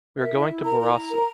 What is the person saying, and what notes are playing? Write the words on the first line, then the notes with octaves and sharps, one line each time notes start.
We are going to Borrassà.
A#4 E5
E4
E4
A#4 A#5
E4 A#5
E4
A#4